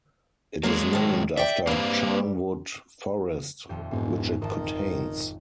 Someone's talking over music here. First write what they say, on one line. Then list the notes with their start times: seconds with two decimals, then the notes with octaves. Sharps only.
It is named after Charnwood Forest, which it contains.
0.63 F#3 G#3 A#3
0.93 A2 D#3
1.37 D5 E5 G5
1.67 G2 G3 A#3 C4 F5
3.69 D#1 F2 G4
3.91 E1 G#2
4.41 G#1 D#3 A5